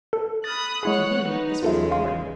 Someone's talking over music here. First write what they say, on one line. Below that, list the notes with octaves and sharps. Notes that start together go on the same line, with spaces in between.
To him this was important.
A4
B5 D#6 F6 F#6 A6
G#3 E4 G#4 C#5 F#5
B3 D#4
E2 C#3 G#3 F4 A4 E5
F5 C6